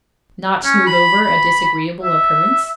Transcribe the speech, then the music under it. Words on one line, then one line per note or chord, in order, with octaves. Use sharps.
'Not smooth over a disagreeable occurrence?'
C#4
B5
B5
E5